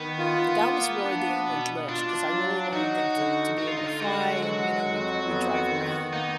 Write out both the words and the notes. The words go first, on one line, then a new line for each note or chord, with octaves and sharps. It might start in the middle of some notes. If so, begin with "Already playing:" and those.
that was really the only glitch 'cause I really wanted them t to be able to fly and, you know, we d we drive around
Already playing: D#3 B3
F4
A#3
D4
B2
D4 F4
F#3
D#4 F#4
D3
D3 F#4
F4
D#4
F4
G#3 F#4
F#3 F#4
F2
B3
D#3
A#3 D#4